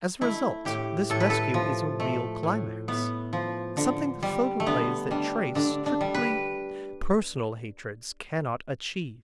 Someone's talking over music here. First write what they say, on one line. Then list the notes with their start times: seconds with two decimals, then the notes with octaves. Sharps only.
As a result this rescue is a real climax, something the photoplays that trace strictly personal hatreds cannot achieve.
0.21 A3 E4
0.65 A2 G4
1.10 A2 A4
1.20 B4
1.30 A4
1.54 F3
2.00 A3
2.43 A2
2.88 A2 B3
3.33 F3
3.77 D3
4.23 G3
4.60 A3
4.66 D3 B3
5.11 G3 D4
5.55 D3 D4
5.86 D4
6.01 G3
6.14 B4